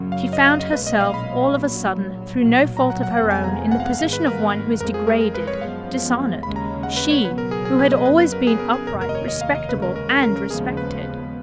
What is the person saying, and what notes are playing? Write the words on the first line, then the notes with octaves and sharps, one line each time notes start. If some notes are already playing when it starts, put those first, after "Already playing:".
She found herself all of a sudden, through no fault of her own, in the position of one who is degraded, dishonored; she, who had always been upright, respectable, and respected.
Already playing: F#1 F#2 C#3 F#3
F5
D#5
F5
D#5
B1 A#2 G#3 C#4 B4
D#5
F5
B5
A#1 A#2 F#3
B1 A#2 F#3
A#5
F#5
F#5
F1 F2 F3 G#3 B3 F#5
G#5
A#5
F#5
F5
F#5
G#2 D#3 G#3 B3 F5
B4
A#4
F2 F3 G#3 A#4
G#4
A#4
A#4
B4
C#5
F#2 F3 G#3 B3 F5
D#2 C#3 G#3 C#4 B5
A#5
F#5
B4
C#5
C#2 B2 F#3 B3 B4
A#4
G#4
G#4
B4
D#5
F#2 C#3 F#3 B3 B4
B4
A#4
G#4
A#4
G#4
F1 D#2 D#3 A#4
A#4
D#5
C#5
D#5
F5
D#5
D#2 C#3 G#3 C#4 B4
A#4
A#4
A#4
A#4
A#4
D#2 C#3 F3 G#3 B3 G#4
B4